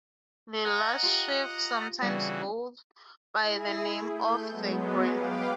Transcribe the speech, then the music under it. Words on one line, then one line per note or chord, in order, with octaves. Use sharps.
"The last sheaf sometimes goes by the name of "The Granny"."
D#5 F#5 A#5
F4 G4
C#3 E3 G3 B3 D4 F#4
E4 G#4
A3 G6
F#3 G#3 B3
B4 F5 G5 D6